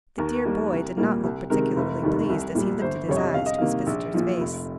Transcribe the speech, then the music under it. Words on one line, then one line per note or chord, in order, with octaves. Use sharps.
The dear boy did not look particularly pleased as he lifted his eyes to his visitor's face.
D#2 A#4
D#3 G3 A#3
C2
A#2 G3 A#3
C2
C3 D#3 G#3 C4 A#4
F1
D#2 D#3 G3
C2
A#2 G3
G1 C5
F2 C3 G3 C4 C#5
D#5
C2 F5
D#5
C3 D#3 A#3 F5
A#1
A#2 F3
F1